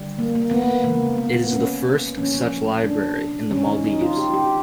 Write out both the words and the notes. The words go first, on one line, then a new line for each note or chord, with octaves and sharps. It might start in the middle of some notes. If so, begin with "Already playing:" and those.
It is the first such library in the Maldives.
Already playing: D3 G3
A#3
A#3
B3
A#3
C#3 E3 G#3 A#3
B3
B3
C#4
A#2 F3 A#3 C#4
D4
D#3 G#3 C#4
D#4
D#4
F4
G4
G4